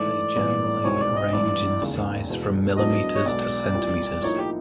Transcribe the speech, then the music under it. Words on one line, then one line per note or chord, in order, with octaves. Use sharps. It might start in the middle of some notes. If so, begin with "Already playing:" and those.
They generally range in size from millimeters to centimeters.
Already playing: G#2 E3 A3 D5
G#1 G2 E3 G#3 B3
C2 B2 G#3 C4 D#4 C#5
D5
D#5
G#1 G2 E3 D5
E1 D#2 C#3
E1 E2 B2
A2 F#3 B3 D4 F#4 D#5
C#5
B1 B2 G#3 D5
C2 A#2 G3
A2 F3 A#3 D#4 C#5
G4